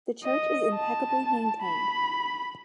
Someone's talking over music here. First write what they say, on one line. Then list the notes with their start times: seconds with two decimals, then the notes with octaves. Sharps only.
The church is impeccably maintained.
0.24 D#5
0.75 A5
1.62 B5